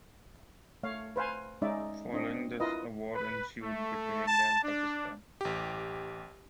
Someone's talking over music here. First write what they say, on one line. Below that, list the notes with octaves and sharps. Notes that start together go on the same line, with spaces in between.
Following this, a war ensued between India and Pakistan.
A3 C#5 F5
B4 C5 F5 G#5
G#3 C#4 D#4 D5 E5
C4 D4 D#5
E4 F4 A#4 B4 D#5
B4
A3
A5
D4
A1 G4